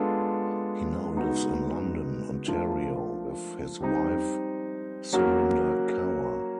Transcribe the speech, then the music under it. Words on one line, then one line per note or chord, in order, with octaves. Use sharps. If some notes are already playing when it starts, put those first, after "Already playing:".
He now lives in London, Ontario with his wife Surinder Kaur.
Already playing: G#3 B3 D4 F4 A4
G#3 B3 D#4 F#4
F3 A3 D4 F4 A#4
G3 C4 D#4
F#3 A#3 C#4 F#4 A#4